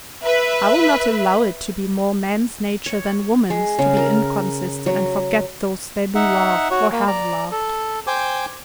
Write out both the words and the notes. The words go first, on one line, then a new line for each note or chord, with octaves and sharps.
I will not allow it to be more man's nature than woman's to be inconstant and forget those they do love, or have loved.
B4 E5
C#5
G#3
C#3
A#4
F#3
D#4 E5 F#5
F#4 C#5
A#3
D5 A#5
A4
C5 G5 G#5 D6